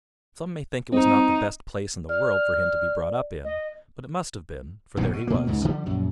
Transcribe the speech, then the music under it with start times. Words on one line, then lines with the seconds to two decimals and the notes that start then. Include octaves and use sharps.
Some may think it was not the best place in the world for him to be brought up in; but it must have been, for there he was.
0.92 G3 C4 D#4
2.09 D5 F6
3.44 D#5
4.97 D#1 B1 G2 B2
5.13 B2
5.27 B2 A#3
5.47 C#2 G#2 C#3
5.65 D3 F3 G3
5.86 A#1 F#2